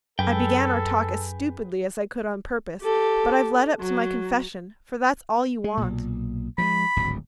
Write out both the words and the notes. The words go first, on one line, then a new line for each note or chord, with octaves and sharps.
I began our talk as stupidly as I could on purpose, but I've led up to my confession, for that's all you want.
F#2 G#4 A4 B4 G5
G4 A4
F#3
G#3
B1 A#2
F3 G3 G#3 B5
D1 G#1 D2